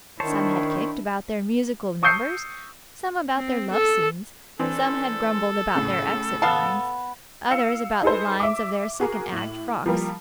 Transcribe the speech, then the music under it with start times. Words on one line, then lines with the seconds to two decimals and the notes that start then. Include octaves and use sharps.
Some had kicked about their musical numbers, some about their love-scenes; some had grumbled about their exit lines, others about the lines of their second-act frocks.
0.20 D#3 D4 E4 C5 C#5 A5
2.03 C#6 D#6 E6 G6 C7 C#7
3.37 C4
3.73 A4
4.59 E3 C4 D4 A4
5.75 A2 C#3
6.42 B3 F5 A5
7.51 F5 E6 C#7 E7
8.03 D#4 G#4 A4 B4 C5
8.40 E5 D6
9.00 F#4 G#4 A#4
9.32 A2 F#7
9.86 F3 G3 A#3